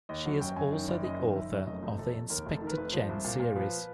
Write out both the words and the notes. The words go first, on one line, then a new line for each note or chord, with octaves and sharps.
She is also the author of the Inspector Chen series.
D#2 D#5
F#3
F#2 G5
F#2 G#5
D#3 G5
F#1 D5
F#2 D#5
D#3
F#1 E5
F#2
F1 D#5
F1
F1 A4
F1
D#2 A#4
F1 A4
D#3
A#4
B4
F1
F3 C5
C2
A#2
A#2
F3 B4